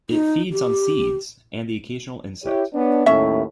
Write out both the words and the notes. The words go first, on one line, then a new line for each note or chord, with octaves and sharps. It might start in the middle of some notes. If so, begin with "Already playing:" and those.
It feeds on seeds and the occasional insect.
D#4
G4
E4 G4 C#5
B3 C#4 D4
D#2 A2 C#4 E5